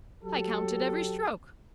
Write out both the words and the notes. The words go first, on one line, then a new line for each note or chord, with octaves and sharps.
I counted every stroke.
F#3 G4 A4